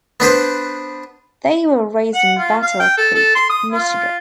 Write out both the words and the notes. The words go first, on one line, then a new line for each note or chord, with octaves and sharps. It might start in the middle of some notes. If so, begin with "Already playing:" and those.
They were raised in Battle Creek, Michigan.
B3 D4 B4 C5
F#5
F4
F5
G5
A4
A4
C6
D#6
F4